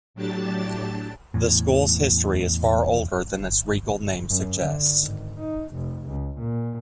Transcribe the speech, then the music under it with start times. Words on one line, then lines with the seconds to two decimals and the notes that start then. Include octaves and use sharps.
The school's history is far older than its regal name suggests.
0.14 A2 F#3 D4 G4 A5 A6
1.34 E2 A2
4.28 F#2
4.61 D3
4.98 G#1
5.39 D#4
5.73 F1
6.06 C#2
6.39 A#2